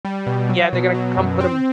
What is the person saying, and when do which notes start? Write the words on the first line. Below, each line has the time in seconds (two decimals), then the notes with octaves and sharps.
Yeah, they're gonna come put him
0.05 G3
0.27 B2
0.49 F#3
0.73 B2
0.94 F#3
1.17 F#2
1.40 C4